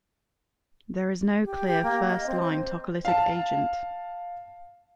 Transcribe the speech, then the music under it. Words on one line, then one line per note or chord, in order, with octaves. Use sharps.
There is no clear first-line tocolytic agent.
G4
G4
A#3
D#5
C4
C5
F5 A5